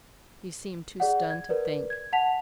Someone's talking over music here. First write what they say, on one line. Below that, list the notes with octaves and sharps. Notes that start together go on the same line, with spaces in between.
He seemed too stunned to think.
G#4 D5 F#5
G#6
A#4 B4 D5
G#6
F#5 A5 B6 F7